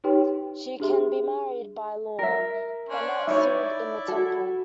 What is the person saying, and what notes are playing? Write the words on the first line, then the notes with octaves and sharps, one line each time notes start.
She can be married by law, but not sealed in the temple.
D#4 G4 B4 C#5 G5 C6
D4 G4 G#4 E5 C6
A#4 E5
C#4 D4 C5
D#4 E4 C#5 D5 E5
F#4 A4